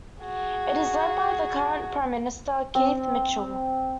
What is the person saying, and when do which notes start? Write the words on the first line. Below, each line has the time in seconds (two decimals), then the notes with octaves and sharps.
It is led by the current Prime Minister, Keith Mitchell.
0.23 F#4 G#4
2.75 C4